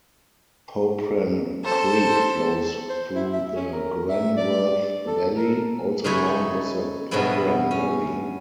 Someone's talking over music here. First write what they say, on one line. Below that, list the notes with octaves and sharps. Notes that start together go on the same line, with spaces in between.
Popran Creek flows through the Glenworth Valley, also known as the Popran Valley.
A4 C5
C5
E4
E5
C#4
A#4
E5
D5
A4
A#4
C#3 G#3 A3 D#4 E4 C#5
G2 B2 F3 F#3 B3 E4
C#4